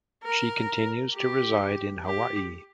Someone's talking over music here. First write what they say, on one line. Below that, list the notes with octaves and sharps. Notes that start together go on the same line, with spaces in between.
She continues to reside in Hawaii.
A#4
G4
G4